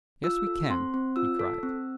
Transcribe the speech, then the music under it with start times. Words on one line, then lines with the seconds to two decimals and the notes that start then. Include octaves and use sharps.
"Yes, we can!" he cried.
0.23 F4 E6
0.47 A4
0.70 C4 C6
0.94 C4
1.16 F4 E6
1.39 A4
1.63 C4